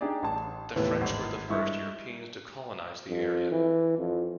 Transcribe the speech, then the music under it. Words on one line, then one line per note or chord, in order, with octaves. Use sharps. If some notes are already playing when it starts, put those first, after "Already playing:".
The French were the first Europeans to colonize the area.
D4 D#4 G4 G#4 D5
A1 A5
D#2 A2 C3 E3 A3 B3
G#1
G2 G#3 E4 C#6
F2
E3
F2